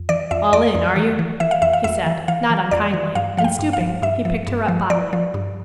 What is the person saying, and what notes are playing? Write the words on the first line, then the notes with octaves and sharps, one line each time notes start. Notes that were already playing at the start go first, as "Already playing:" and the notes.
"All in, are you?" he said, not unkindly, and, stooping, he picked her up bodily.
Already playing: F2
E3 D5
F2 E5
F2 D5
F2
E3
E3
E3 E5
F5
F2 E5
F5
F2 E5
E3
E3 F5
E3
F2 D5
E3
G2 F5
F3 F5
G5
G2
F5
F3
G2 E5
F3
G2
F3
F3 D5
F3
G2